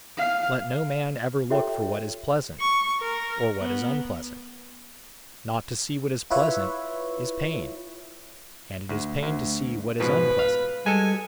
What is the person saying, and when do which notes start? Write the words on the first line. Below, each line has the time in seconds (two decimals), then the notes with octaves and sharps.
Let no man ever look for what is pleasant, or what is unpleasant. Not to see what is pleasant is pain, and it is pain to see what is unpleasant.
0.17 F5
1.50 F4 G4 A4 C#5 E5 G5
2.60 C#6
3.00 A#4
3.60 B3
6.30 E4 F4 B4 C#5 E5
8.89 D2
9.23 D2
10.00 G#2 B2 F3 B4
10.39 F5
10.86 G3 G#3 A4 G#5